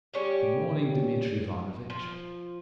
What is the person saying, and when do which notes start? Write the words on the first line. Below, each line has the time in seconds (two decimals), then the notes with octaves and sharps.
"Good-morning, Dmitri Ivanovitch."
0.14 G3 C#4 G4
1.90 F3